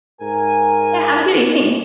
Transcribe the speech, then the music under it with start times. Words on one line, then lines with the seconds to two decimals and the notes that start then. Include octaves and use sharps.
Yeah, have a good evening.
0.21 G#2 A#4 G#5